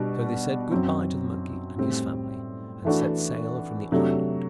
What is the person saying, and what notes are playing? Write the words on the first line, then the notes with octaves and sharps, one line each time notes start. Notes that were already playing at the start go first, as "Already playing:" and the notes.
So they said good-bye to the monkey and his family, and set sail from the island.
Already playing: B2 G3 D4 F#4
F#2 F#3 C4
A2 G3 C4
E3 A3 D4 F#4
C3 F#3 A3 D4